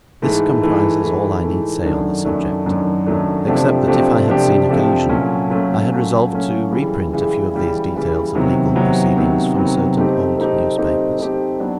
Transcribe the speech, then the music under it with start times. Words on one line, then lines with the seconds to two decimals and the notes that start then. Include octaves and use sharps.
This comprises all I need say on the subject; except that if I had seen occasion, I had resolved to reprint a few of these details of legal proceedings, from certain old newspapers.
0.22 G#2 E3 A3
0.62 G#2 E3 A3
1.03 G#2 E3 A3
1.44 G#2 E3 A3
1.85 F#2 D#3 F#3 A3 D4
2.25 F#2 D#3 F#3 A3 D4
2.66 F#2 D#3 F#3 A3 D4
3.06 F#2 D#3 F#3 A3 D4
3.47 C3 F3 A3 D4 G4
3.87 C3 F3 A3 D4 G4
4.28 C3 F3 A3 D4 G4
4.69 C3 F3 A3 D4 G4
5.09 A#2 F#3 A3 C#4
5.50 A#2 F#3 A3 C#4
5.91 A#2 F#3 A3 C#4
6.31 A#2 F#3 A3 C#4
6.72 C#3 E3 G3
7.13 C#3 E3 G3
7.54 C#3 E3 G3
7.94 C#3 E3 G3
8.35 C3 D#3 F#3 B3
8.75 C3 D#3 F#3 B3
9.16 C3 D#3 F#3 B3
9.56 C3 D#3 F#3 B3
9.97 A3 C4 D#4 G4
10.38 A3 C4 D#4 G4
10.78 A3 C4 D#4 G4
11.19 A3 C4 D#4 G4
11.60 F#3 B3 D4